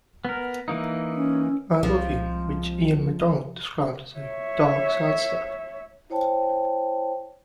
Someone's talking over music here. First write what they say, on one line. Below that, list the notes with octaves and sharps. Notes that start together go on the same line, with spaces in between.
I love "you" which Ian MacDonald described as "a dark sidestep".
B3 A#4
E3 A#3 D#4
C#4
C2 C3 F3 G#3
C#5 E5
E4 C5 C#5 G5 A5